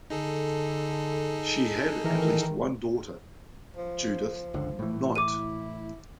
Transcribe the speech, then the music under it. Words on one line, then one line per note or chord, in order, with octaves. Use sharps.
She had at least one daughter, Judyth Knight.
D3 D#4 G#4 A4
D#3 E3 A#4
F3
G1 C#2 D3
A2 E3
E4 D6 D#7